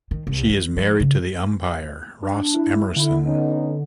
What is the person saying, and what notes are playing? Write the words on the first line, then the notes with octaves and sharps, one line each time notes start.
She is married to the umpire Ross Emerson.
D#3
C2
E3
F3
C#3
D4
E4
D3 E4
B3 C#4 D#4